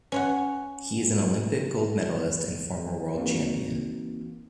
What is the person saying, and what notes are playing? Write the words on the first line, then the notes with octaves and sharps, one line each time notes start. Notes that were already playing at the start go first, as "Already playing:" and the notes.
He is an Olympic gold medalist and former world champion.
C#4 C#5 F#5
E3 A#3 C4 D#4 F#4